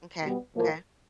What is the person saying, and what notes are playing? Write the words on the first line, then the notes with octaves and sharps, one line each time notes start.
Okay. Okay.
B2 G3 B3
A2 F3 A#3